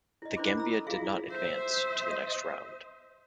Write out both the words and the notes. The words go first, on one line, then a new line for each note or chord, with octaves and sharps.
The Gambia did not advance to the next round.
E4 D#5
D4 E4 A#4 C5 B5 D6
A#5 E6
A4
E4 F4 G#4 E5 F5
C5 E5